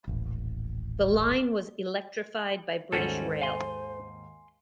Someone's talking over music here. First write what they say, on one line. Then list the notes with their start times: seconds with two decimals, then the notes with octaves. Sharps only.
The line was electrified by British Rail.
0.08 D#1 A1
2.92 D#2 G#2 G3 C#4 F#4 A4 C5
3.42 F5 G#5 C6